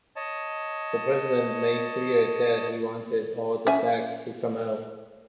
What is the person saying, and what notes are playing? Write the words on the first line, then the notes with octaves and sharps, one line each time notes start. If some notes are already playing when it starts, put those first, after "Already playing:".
The President made clear that he wanted all the facts to come out.
C#5 D#5 A5
C#4 E5 G#5